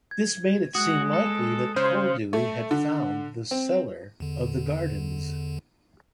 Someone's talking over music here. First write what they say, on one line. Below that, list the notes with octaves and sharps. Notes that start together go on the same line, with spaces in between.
This made it seem likely that Koldewey had found the cellar of the gardens.
G#6
G#3 F#4 D#6 F#6
A4
C#3 C#4 C5 F6
A3
D3
C4
E2 D3